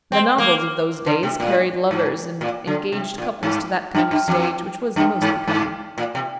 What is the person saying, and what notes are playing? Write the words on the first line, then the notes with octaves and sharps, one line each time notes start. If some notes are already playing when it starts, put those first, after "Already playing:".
The novels of those days carried lovers and engaged couples to that kind of stage which was the most becoming.
C4
A#3
D3
C3
A#2
G#2
A#2
D3
C3
A#2
G#2
G2
G2
F2
G2
G#2
G#2
A#2
C3